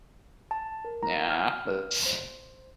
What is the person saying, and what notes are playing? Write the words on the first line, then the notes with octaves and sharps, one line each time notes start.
yeah, that's
A5
A#4
A#5
F6
C5